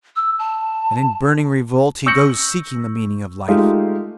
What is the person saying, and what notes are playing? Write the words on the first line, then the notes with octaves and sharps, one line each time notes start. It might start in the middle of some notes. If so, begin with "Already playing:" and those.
And in burning revolt he goes seeking the meaning of life.
E6
A5
C#6 E6 G6 A#6 C#7 F#7
G#3 A3 D#4 F4 G4